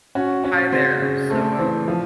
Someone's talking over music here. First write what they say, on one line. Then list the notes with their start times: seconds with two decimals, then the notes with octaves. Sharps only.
Hi there. So, um,
0.15 C#4 F#4
0.44 C#4 F#4
0.72 C#3 C4
1.02 C#3
1.30 A3 C4
1.59 E3 C4
1.88 F3